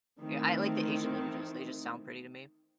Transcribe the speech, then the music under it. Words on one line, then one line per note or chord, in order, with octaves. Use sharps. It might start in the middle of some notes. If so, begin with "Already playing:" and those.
Yeah, I like the Asian languages, they just sound pretty to me.
D#3 E3 A3 C4 E4